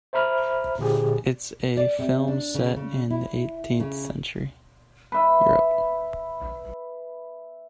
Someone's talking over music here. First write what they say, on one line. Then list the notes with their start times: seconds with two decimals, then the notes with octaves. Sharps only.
It's a film set in eighteenth century Europe.
0.13 C5 E5 A#5 B5 F6
0.79 A#2 D3 F3 G4 G#4
1.77 D5
1.99 C3
2.28 D4
2.54 C#3
2.76 C#3
3.10 E4
3.80 C#3
5.12 B4 E5